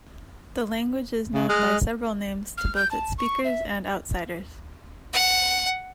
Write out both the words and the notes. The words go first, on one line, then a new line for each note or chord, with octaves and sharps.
The language is known by several names to both its speakers and outsiders.
C#3
G#3 D#5 F6 F#6
F6
G6
A5
C#6
E5
F#5